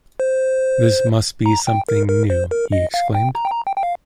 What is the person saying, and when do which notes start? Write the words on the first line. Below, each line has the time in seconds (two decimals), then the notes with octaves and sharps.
"This must be something new," he exclaimed.
0.20 C5
1.46 A#5
1.67 G5
1.89 A#4
2.09 A#4
2.30 C5
2.51 A#4
2.72 D#5
2.94 F5
3.15 G5
3.35 A#5
3.45 G5
3.51 A#5
3.67 G5
3.77 G5
3.83 F5